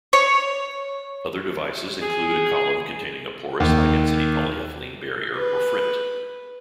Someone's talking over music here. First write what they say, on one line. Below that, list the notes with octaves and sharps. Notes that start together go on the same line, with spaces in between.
Other devices include a column containing a porous high-density polyethylene barrier or frit.
C#5
G#4
D#2
B4